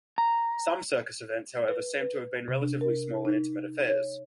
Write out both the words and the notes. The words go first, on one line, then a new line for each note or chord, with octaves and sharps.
Some Circus events, however, seem to have been relatively small and intimate affairs.
A#5
B4
B4
C3
D4
A#4
D#4
C#5